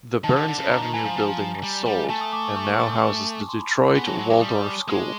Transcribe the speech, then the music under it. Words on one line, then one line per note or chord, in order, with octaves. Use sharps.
The Burns Avenue building was sold, and now houses the Detroit Waldorf School.
D#3 A5
D3
D3
C#3
D3 A#5
D#3
E3 G#5
F3
F3
G3
G3
G#5
A3 A5
D#6
D6
C#6
C#6
C6
B5
B5
B3 G#5
F#3 A5
F#3 C#6
F#3 D6
G3 D#6
G#3